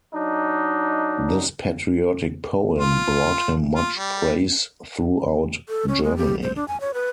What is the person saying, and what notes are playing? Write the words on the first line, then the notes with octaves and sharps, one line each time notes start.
This patriotic poem brought him much praise throughout Germany.
F#3 D4 D#4
F4
F4
G3
A4
C#4
G#3
G4
C5
D4
G#5
C#5
B4